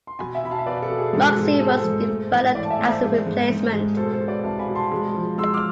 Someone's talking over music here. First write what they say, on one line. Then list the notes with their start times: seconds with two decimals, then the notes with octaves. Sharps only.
Mugsy was developed as a replacement.
0.07 C6
0.19 B2 G#5 B5
0.35 E5 G#5
0.43 B2 B5
0.51 F5 A5
0.59 E5
0.66 B2 B4 D5
0.82 A4
0.89 B2
0.98 G#4
1.13 G#2 A4
1.29 G#4
1.37 G#3
1.45 A4
1.60 G#3 A4 C5
1.76 A4 C5
1.85 G#2
2.08 A3
2.32 A2
2.55 E3 D5 F5
2.65 A5
2.70 E5 G#5
2.79 A3
2.87 C5 E5
3.02 G#2 G#4
3.18 G#4
3.26 G#2
3.50 G#2
3.73 G#3
3.97 B2 A4 C5
4.12 A4 C5
4.21 B2
4.28 B4 D5
4.44 C2 F5 A5
4.59 G#5 B5
4.68 B2
4.75 A5 C6
4.92 G#3
5.15 F3
5.38 G#3 C6 E6
5.54 D6 F6